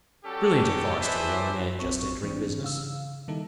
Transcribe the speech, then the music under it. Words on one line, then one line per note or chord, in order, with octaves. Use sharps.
Brilliant advice to a young man just entering business!
G3 C#4 F#4 G4 A4
B4 C5 D5 E5 G#5 A5
A#1 C4 C#6
G#2 E3 C4 D4
C#3 F5 E6
D#3 G3 A#3 D#4 E4 A4